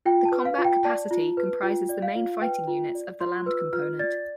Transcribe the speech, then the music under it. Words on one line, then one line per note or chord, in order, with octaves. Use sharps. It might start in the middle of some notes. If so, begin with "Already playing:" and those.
The combat capacity comprises the main fighting units of the Land Component.
F4 G5
A5
B4
F5
F4
G5
D5 A5
F4
B4
F4 G5
D5
F5
F4
B4 G5
F4
D5
F4 C6
B4 E6
F4 F6
D5 A6